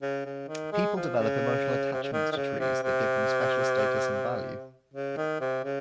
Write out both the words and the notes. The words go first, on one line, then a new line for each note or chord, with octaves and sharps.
People develop emotional attachments to trees that give them special status and value.
C#3
C#3
D#3
G#3
F3
C#3
C3
C#3
D#3
D#3
C#3
C3
C3
C#3
D#3
C3
C#3